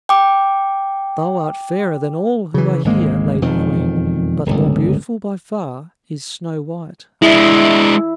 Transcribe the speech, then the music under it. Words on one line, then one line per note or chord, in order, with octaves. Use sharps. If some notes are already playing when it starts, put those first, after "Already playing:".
"Thou art fairer than all who are here, Lady Queen, But more beautiful by far is Snow-white, I ween."
G5 D6
C#3 E3
G#1 D2 G#3 A#3
E1 F2 D#3
D1 G1 C#2
G#3 D4 E4